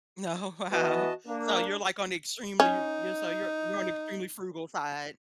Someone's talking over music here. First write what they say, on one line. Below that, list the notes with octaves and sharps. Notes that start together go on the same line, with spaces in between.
Oh, wow. So, you're, like, on the extremely you so, you're you're on the extremely frugal side.
E3 B3 F#4 D#5 A5
A#3 D4
C#4 D#4